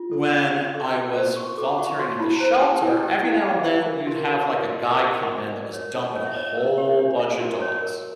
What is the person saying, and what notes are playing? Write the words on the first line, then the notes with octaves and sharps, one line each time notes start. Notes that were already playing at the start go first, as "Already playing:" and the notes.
when I was volunteering at the shelter, every now and then you'd have like a guy come in that was dumping a whole buncha dogs.
Already playing: F4
A4
C#4
F#4
A4
F#4
C5
F#4 C#6
A4 D6
F#4 C#6
F#4 C6
E4 B5
C5 A#5
G4 A5
E4 G#5
G4 G5
E4
F5
G4
E5
E4
A#4
F#4
A#4
F#4
F#4 D5
A#4 D#5
F#4 D5
D4 D#5
A#4 D5
C#5
D4
C#5
E5
C#5 D#5
A#4
G4
D4
A#4 E5
F#4
C#5
A#4